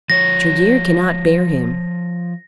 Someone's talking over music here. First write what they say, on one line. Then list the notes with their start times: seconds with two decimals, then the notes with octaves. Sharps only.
Tregear cannot bear him.
0.10 F3 C#5 A#6